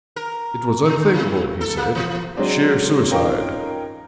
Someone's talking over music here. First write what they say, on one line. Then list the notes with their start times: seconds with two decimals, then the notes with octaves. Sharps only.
It was unthinkable, he said. Sheer suicide.
0.16 A#4
0.85 D3
1.13 G#2
1.61 A4
1.77 A#3
1.95 E3
2.36 F#3 G#3 C4 D4
3.11 C#4 D#4 F4 A#4 F5 G5